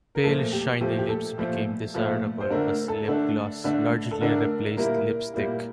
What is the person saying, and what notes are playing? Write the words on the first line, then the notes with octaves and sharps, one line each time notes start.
Pale, shiny lips became desirable, as lip gloss largely replaced lipstick.
A#4
A#2 F3 A3 A4
G4
A#2 F3 A3 G4
G4
A4
A#2 F3 A3
A#2 F3 A3
C5
D3 A3 D4 A#4
A4
D3 A3 D4
D3 A3 D4
A4
D3 A3 D4 A#4
A#2 G3 A#3 E4 A#4
A#2 G3 A#3 E4